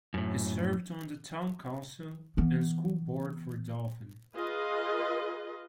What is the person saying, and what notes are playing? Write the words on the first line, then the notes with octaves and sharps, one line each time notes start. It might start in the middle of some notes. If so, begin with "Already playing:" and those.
He served on the town council and school board for Dauphin.
F#2 A2
E3 B3
F4 G#4 B4 D#5